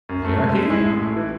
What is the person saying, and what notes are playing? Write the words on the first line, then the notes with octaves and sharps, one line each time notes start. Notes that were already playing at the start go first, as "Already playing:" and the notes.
"They are here."
F#2
A3
G#3
G#3
G#3 E4 G#4
A1
A2
E3